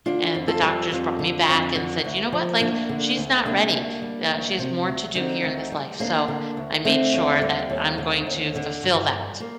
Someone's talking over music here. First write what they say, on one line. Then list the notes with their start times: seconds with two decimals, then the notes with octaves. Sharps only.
and the doctors brought me back and said, "You know what? Like, she's not ready, uh she has more to do here in this life," so I made sure that I'm going to fulfill that.
0.06 D3 D4 F4
0.35 F2
0.48 F4 A4
0.62 G3
0.91 F2
1.19 D3
1.47 F2
1.75 D3
2.04 D2
2.32 F3
2.60 D2 A#3 D4
2.89 D3
3.17 D2
3.46 C3 A#3 D4
3.74 D2
4.02 G3
4.30 D2
4.59 C3
4.87 D2
5.15 D3 C4 D#4
5.43 D2
5.72 G3
5.99 D2 A#3 D4
6.28 D3
6.57 D2
6.85 D3 A3 C4
7.13 D#2
7.42 G3
7.70 D#2
7.98 D3
8.27 D#2
8.55 D3
8.83 G2
9.11 G3
9.40 A#3